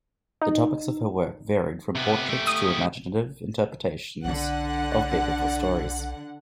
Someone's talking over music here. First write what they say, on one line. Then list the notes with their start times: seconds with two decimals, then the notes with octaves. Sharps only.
The topics of her work varied from portraits to imaginative interpretations of biblical stories.
0.41 D#4
1.95 C3 B3
2.29 A3 G4
2.47 D#6
4.25 B1 D3 F#5